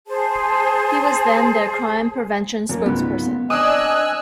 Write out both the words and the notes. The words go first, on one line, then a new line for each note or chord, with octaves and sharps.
He was then their Crime Prevention spokesperson.
G#4 C5 A5
F#2 A#3
C#2 G#2 B3
C4 D4 D#5 G#5 D#6 E6 F#6